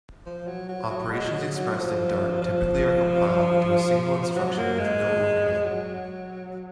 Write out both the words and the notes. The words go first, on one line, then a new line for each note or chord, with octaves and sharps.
Operations expressed in Dart typically are compiled into a single instruction with no overhead.
F3
F#3
F#3
F#3
G#3
F#3
F#3
F3
F3
F#3
A#3
G#3
F#3